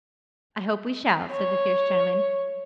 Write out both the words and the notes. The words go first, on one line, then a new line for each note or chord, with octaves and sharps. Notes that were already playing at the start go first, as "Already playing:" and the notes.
'I hope we shall,' said the fierce gentleman.
C#5